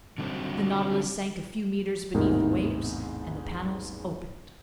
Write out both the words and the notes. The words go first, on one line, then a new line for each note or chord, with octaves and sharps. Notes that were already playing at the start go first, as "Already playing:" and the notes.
The Nautilus sank a few meters beneath the waves, and the panels opened.
D3 F#3 G3 B3 C4 A#4
A1 E2 G#2 C3 D#4 A#4